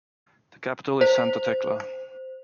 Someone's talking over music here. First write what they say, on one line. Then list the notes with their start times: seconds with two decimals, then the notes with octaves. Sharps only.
The capital is Santa Tecla.
1.01 C5